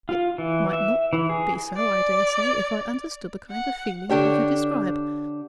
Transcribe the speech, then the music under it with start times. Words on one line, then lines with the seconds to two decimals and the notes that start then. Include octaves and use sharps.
It might not be so, I dare say, if I understood the kind of feeling you describe.
0.09 F4
0.38 E3
0.73 E5
1.13 E3
1.29 G#4
1.77 D5
3.51 F#5
4.09 D3 D4 G4 C#5